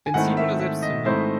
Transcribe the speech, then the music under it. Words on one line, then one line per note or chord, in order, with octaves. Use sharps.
Benzin oder Selbstzünder?
G#5
G#2 D#3 A3 C4 E4 F#5
E5
E5
D#5
G#2 D#3 A3 C4 E4 C5